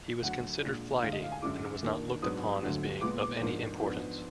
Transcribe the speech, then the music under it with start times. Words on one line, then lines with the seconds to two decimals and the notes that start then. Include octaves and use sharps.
He was considered flighty, and was not looked upon as being of any importance.
0.23 D2 D3 F#3 F#5
0.62 A#2 G#3 D4
1.02 D2 D3 G#3 D4 F5
1.12 D#5
1.23 F5
1.32 G#5
1.42 F#2 D3 G#3 D4 D6
1.83 D#2 D#3 A#3 D4
2.22 G#2 F#3 B3 D4 D#6
2.62 D2 D3 F#3
3.01 A#2 G#3 B3 D6
3.21 D6
3.41 G#2 F3 A#3 D4
3.81 G#2 F3 B3 D4